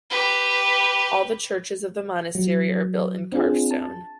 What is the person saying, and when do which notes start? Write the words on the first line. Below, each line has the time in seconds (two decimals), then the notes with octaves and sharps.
All the churches of the monastery are built in carved stone.
0.10 G4 B4
2.35 F#3
3.32 C4 D4 F4 G#4
3.71 A5